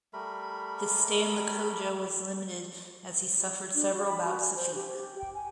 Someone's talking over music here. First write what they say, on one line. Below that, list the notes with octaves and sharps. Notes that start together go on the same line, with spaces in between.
His stay in Lokoja was limited as he suffered several bouts of fever.
G3 A3 A#4 B5
D4
F#4
B5
F#4
G#5
C5
G4
G4
G5
G#5